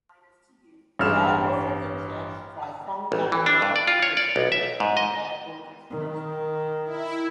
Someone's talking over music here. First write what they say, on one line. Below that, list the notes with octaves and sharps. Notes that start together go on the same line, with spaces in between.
The airport is accessed by Konggang Road, which connects to the Airport Expressway.
A1 G2 F6 E7
A1
E3
D4
G2
D5
F4
C#5
D5
B1
E5
G#2
D#5
D#3
E4